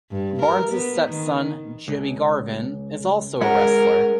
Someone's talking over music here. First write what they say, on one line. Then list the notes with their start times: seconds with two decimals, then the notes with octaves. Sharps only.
Barnes' stepson, Jimmy Garvin, is also a wrestler.
0.11 G2
0.41 A#4
0.71 B3
1.07 D#3
1.88 C#2
3.41 G#3 C#4 A#4 F#5